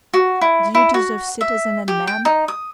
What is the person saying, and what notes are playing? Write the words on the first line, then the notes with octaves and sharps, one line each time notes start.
Duties of citizen and man?
F#4
E4
E4
F#4
E5
G4
G5
D#4
D#6